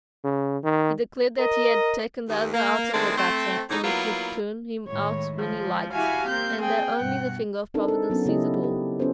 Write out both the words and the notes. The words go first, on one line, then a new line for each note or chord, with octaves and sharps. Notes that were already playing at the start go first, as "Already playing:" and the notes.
He declared that he had taken the other out of the gutter and he could turn him out when he liked, and that only the finger of Providence sees it all.
C#3
D#3
A#4 D#5
D#2
A#3
D#3 G#3 A3 C4 D4
A3 C4
E2 A2 D#4
F#3 A#3 B3 E4 F4
A2 D#3 G#3 C#5
F3 G#3
E4 F#4 G4 F5 G#5
A#3 C4 G6
G#4 G5
G2 B2 F#5
C4 D4 D#4 A4 A#4
A4
F#3 B3 C#4
C#3 B3 E4 G4 D#5
G4 B4
B3 C#4 F4 A4 B4 C5